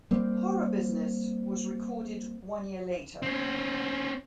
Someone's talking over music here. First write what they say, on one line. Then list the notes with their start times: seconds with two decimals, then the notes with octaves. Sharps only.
"Horror Business" was recorded one year later.
0.11 G3 A#3 C4
3.22 C4 C#4